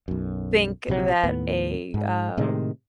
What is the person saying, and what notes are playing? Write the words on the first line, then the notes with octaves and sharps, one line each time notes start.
think that a, uh,
B1 F#2
A#1 C3 D#3 F#3
D#2 A2 B3
G#2
A2 C3 D#3 G#3